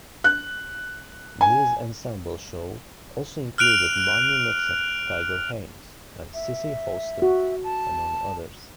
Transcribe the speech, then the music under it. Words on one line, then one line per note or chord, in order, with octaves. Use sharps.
This ensemble show also included Marni Nixon, Tiger Haynes, and Cissy Houston among others.
F#6
G#5
F6 F#6 D7 F7
E5
F#4
A5